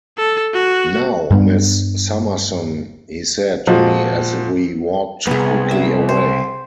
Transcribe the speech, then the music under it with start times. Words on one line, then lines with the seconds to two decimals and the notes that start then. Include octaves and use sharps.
"Now, Miss Summerson," he said to me as we walked quickly away.
0.18 A4
0.53 F#4
1.31 G2 G3 B3
3.67 A#2 F3 G#3 F#4
5.27 C2 F2 B3 G#4
5.71 E5
6.09 C5